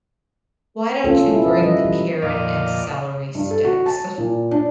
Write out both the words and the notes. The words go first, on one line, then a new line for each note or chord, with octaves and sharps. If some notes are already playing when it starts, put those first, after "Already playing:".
why don't you bring the carrot and celery sticks?"
C#4 F4 A4
B3 E4 A4
B4 E5
E3 F#3 G3 B4 D#5
E3
F2 A#2 D5 D#5 F5
G2
A4
F#4
A5
A#2
D4